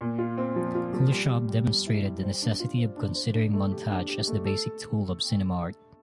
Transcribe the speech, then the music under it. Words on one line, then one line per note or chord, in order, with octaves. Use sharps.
Kuleshov demonstrated the necessity of considering montage as the basic tool of cinema art.
A#2
F4
C4
F3
F4
F3
G3
G3
G3
G3
E4
G3
C5
D4
F4
C5
D4
C5
D4
A3
G4
D4
G4
A3
A4